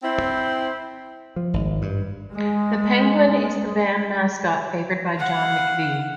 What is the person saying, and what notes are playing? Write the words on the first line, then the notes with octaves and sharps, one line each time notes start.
The penguin is the band mascot favoured by John McVie.
C4 E4 C5
F3
G#1
G2
G#3
G#3
F5 F#5